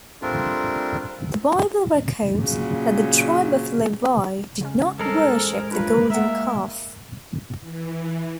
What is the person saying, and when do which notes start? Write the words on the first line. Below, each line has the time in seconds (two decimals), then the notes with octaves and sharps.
The Bible records that the tribe of Levi did not worship the golden calf.
0.22 G3 A3 C4 D4 F4 A#4
2.38 A#2 C#3 F#3
4.61 C#3 G#3 C#4
4.99 A1 G3 G#3 A4 A#4 C5 A#5 C7
5.71 G2 D4 F4 B4 A#5
6.10 A#3 E5 F#5 A#5
7.61 E3